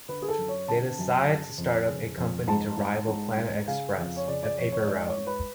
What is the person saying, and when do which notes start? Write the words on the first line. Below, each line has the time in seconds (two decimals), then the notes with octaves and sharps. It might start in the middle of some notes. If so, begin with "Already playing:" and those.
They decide to start up a company to rival Planet Express: a paper route.
0.09 D3 B4
0.22 G#4
0.28 A4
0.38 F#2
0.48 C#5
0.68 D3 A5
0.99 F#2
1.28 C#3
1.58 F2
1.88 C#3
2.17 F2
2.48 G#2 A5
2.77 G#2
3.08 G#2
3.37 G#2
3.68 C#3 F5
3.98 F2
4.16 C#5
4.28 C#3 D5
4.43 D5
4.58 F2 C#5
4.72 C#5
4.87 G#2 D5
5.08 C#5
5.18 G#2
5.27 B4